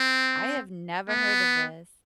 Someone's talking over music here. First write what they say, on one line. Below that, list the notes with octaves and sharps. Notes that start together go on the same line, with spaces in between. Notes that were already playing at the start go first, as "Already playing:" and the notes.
I have never heard of this.
Already playing: C4
B3